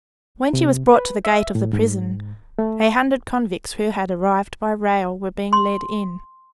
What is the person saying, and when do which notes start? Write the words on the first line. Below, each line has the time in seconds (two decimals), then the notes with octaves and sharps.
When she was brought to the gate of the prison, a hundred convicts who had arrived by rail were being led in.
0.53 C3
0.94 B4
1.25 E5
1.55 A2
1.73 G#2
2.59 A3
5.53 C6